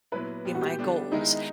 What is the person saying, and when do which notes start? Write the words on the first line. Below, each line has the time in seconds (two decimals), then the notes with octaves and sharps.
my goals.
0.12 A#2 F#3 B3 E4 B4
0.45 A#2 G3 B3
0.55 F#4
0.61 G4
0.79 D3 G3 B3 D4
1.12 D#3 G#3 B3 D#4 E4 G#4